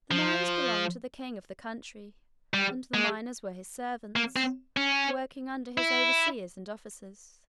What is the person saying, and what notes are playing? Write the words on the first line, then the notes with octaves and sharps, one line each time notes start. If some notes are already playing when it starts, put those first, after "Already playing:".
The mines belonged to the king of the country, and the miners were his servants, working under his overseers and officers.
F3
G3
G#3
A#3
C4
C#4
E4